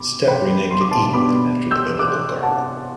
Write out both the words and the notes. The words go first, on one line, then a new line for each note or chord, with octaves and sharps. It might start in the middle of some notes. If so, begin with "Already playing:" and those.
Stepp renamed it Eden after the Biblical garden.
Already playing: B2 B5 D6
G5 B5
C6
D6
A5 C6
B2 G3 B3 D4 B5 D6
E6 G6
D6 F#6
F#5 A5